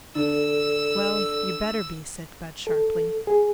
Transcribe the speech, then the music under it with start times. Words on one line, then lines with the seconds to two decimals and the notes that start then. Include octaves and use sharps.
"Well, you better be," said Budd sharply.
0.15 D3 A4 D5 E6
2.67 A4
3.27 G#4